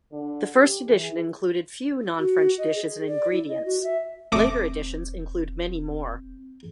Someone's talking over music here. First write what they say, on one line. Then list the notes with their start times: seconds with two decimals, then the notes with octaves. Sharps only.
The first edition included few non-French dishes and ingredients; later editions include many more.
0.13 D3 D4
0.54 G4
0.87 E3 G#4
2.19 F#4
2.58 D#5
2.75 G#4
3.07 D5
3.32 E4
3.48 D#5
3.65 F#4
3.83 E5
4.32 E1 A3 C4 A4 D6 D#6 A#6